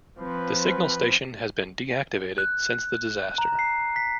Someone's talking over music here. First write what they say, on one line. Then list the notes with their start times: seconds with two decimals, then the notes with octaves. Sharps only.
The signal station has been deactivated since the disaster.
0.20 F3 C4 B4
2.38 F#6
3.38 A#5
3.59 C7
3.96 B6